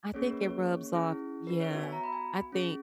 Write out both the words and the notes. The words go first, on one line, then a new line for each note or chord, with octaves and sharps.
I think it rubs off yeah. I think,
A#3 C#4 G#4 C#5
B4
C#5
C#4 E4 G#4
B4
C#5
B3 F#4 E5
G#5
A#5
B5
G#5
C#4 G#4